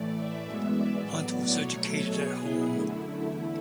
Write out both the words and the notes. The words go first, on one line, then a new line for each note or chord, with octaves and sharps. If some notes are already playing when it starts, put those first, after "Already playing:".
Hunt was educated at home.
Already playing: A2 E3 A3 D5
E5
F#2 E3 G#3 B3 E5
D5
A2 F#3 B3 D5
B2 F#3 A3 C#5
A4
B2 F#3 B3 G#4
E4
F#2 D3 A3
E4
E2 D3 A3